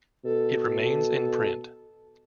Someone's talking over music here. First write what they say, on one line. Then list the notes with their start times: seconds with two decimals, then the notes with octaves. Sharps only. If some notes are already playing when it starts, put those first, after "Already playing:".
It remains in print.
0.25 B2 A4